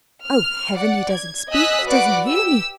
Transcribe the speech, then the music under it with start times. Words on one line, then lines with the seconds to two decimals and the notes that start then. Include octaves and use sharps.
Oh, Heaven! he doesn't speak--he doesn't hear me!
0.26 F6
0.73 D5 F#5
1.12 G#6
1.51 D#5 G#5 D#6 E6 F#6 B6
1.85 F#4 B4 D5 F#5 F#6 D7
2.29 G4 E6